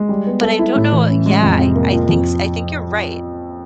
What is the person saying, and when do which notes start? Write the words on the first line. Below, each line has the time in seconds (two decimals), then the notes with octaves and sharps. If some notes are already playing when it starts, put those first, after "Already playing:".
But I don't know i Yeah, I I thinks I think you're right,
Already playing: G#3
0.09 G3
0.27 B3
0.42 A4
0.59 E4
0.76 A2
0.92 E3
1.09 C#4
1.26 G#3
1.43 F2
1.59 C3
1.75 A#3
1.92 F3
2.09 F2